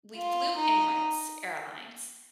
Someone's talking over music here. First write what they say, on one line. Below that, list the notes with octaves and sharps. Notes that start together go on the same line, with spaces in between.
we flew Emirates Airlines,
F4
D#4